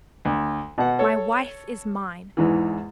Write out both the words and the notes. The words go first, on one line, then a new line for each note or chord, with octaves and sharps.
My wife is mine.
D2
B2 F#5
A4 C#5
E2 G#2 E3